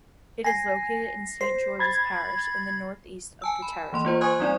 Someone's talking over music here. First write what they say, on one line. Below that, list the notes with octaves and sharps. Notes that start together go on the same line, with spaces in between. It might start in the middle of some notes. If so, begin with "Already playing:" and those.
It is located in Saint George's Parish, in the northeast of the territory.
G#5 A#6 C7
C5 C7
B5 G#6 A6
G#5 A5 E6
B5
E3 A#3 C6
A#3 F4 C5
C5 G#5 C#6 D#6 F#6 G#6
G3 C4 D#4 D5